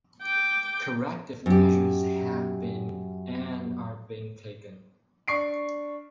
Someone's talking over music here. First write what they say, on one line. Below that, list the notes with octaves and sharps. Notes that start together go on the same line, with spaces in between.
Corrective measures have been and are being taken.
G5 D6
F#2 G4
D4 C#6 C7 D7